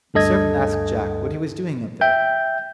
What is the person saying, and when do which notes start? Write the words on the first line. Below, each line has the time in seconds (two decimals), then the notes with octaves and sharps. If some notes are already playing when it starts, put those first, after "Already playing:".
The servant asked Jack what he was doing up there.
0.14 D2 G2 A4 D#5 G#6
2.01 E5 G5 G6